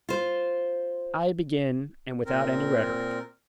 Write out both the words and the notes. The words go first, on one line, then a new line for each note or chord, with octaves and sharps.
"I begin, and without any rhetoric."
F4 C5
A#2 C4 A#4